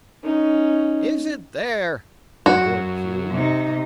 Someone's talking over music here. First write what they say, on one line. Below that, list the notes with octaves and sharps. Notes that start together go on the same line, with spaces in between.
"Is it there?" roared Pew.
C#4 D#4
F#2 F#4
C3 D#4